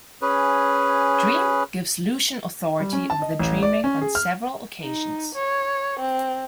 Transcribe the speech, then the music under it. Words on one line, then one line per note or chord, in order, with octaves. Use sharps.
Dream gives Lucien authority over the Dreaming on several occasions.
C#4 G#4 B4
G3
C#4
A5
D#5
A1
D5
C#4
G#4
F6
D#4
C#5
C4